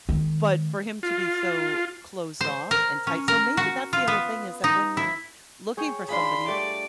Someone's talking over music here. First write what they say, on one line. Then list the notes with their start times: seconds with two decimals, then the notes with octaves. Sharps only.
but for him to be so closed off and tight so maybe that's the other thing is that when you're looking for somebody,
0.09 D#3 G#3
1.03 F4
2.41 C5
2.71 A#4
3.07 C#4
3.28 A#4
3.57 F#4
3.93 F4
4.08 B3
4.64 D#4
4.97 E4
5.77 G#4 C#5 G5
6.08 D4 F4 G#4 B5 C6
6.48 G3 A3 D5